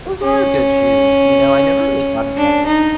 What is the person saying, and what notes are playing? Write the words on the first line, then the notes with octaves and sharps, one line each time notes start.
Those are good shoes. You know, I never really thought about it,
C#4
D4
D#4